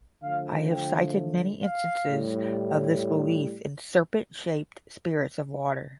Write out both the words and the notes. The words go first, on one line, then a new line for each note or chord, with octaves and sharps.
I have cited many instances of this belief in serpent-shaped spirits of water.
D3 F3 A3 F5
G5
F5
A2 G3